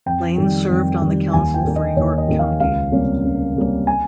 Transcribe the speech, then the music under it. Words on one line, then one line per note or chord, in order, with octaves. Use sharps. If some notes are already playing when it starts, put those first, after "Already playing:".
Lane served on the council for York County.
F2 G5
D#3 G3
F2
D#3 G3
D#2 G#5
G5
D#3 A#3
D#5
D#2 C#5
D#5
D#3 A#3
F5
C#2 F5
C3 G3 A#3 C#4
C#2
C3 G3 A#3 C#4
G#5